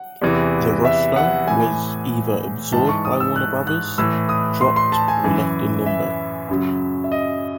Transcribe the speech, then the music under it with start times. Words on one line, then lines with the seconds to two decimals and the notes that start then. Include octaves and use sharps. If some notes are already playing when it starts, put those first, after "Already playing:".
The roster was either absorbed by Warner Brothers, dropped, or left in limbo.
Already playing: F#5
0.22 E2 C3 E3
0.85 E5
1.16 F#5
1.47 A2 E3 G#5
2.73 G#2 E3 A5
2.89 C#6
3.05 D#6
3.20 E6
3.36 F#6
3.67 F#6
3.98 A2 E3 E6
4.29 D#6
4.61 C6
4.76 C6
4.92 A5
5.08 G#5
5.24 F#2 E3
5.86 E5
6.48 F#2 C#3 F#3
7.04 E5
7.12 D#5